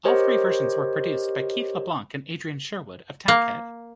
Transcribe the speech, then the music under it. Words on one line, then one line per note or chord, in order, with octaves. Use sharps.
All three versions were produced by Keith LeBlanc and Adrian Sherwood of Tackhead.
G4 A#4 C5 C#5 D#5
A#3